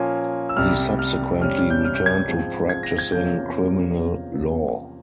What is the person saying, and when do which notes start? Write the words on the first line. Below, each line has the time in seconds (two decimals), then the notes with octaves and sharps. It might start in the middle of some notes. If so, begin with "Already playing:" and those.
He subsequently returned to practising criminal law.
Already playing: A#2 F3 A#3 C#4 G#5
0.49 E6
0.56 C2 C3 G3 F6
0.99 F6
1.41 C3 G3 C#4 F6
1.57 F6
1.70 G6
1.85 F6
1.95 G6
2.06 G#6
2.27 G#2 F3 C4
2.69 G#6
2.83 A#6
2.99 G#6
3.12 E2 C3 F3 A#3 C#4 G6